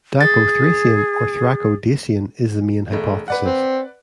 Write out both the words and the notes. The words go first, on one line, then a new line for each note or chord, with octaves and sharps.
Daco-Thracian or Thraco-Dacian is the main hypothesis.
G#4 A6
E1 A3
B4 D5 F#5
C4